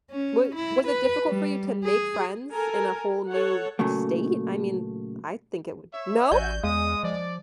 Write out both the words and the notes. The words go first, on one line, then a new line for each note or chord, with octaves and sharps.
Wa was it difficult for you to make friends in a whole new state? I mean, I think it would no?!
C#4
E4
B4
G3
G#4
A4 A#4 G#5
A4 C#5 F#5
A#2 C#3 F#3 A3 A#3
C#5 E5
A1 F#4 D5 E5 G#5 G6
E2 G#3 F5 D#6
F3 D5